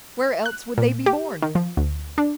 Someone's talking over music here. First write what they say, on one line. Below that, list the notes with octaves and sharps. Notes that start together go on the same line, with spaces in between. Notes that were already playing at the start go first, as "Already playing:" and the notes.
"Where else would they be born?"
F#6
A#2
G4
D#3
F3
D2
D4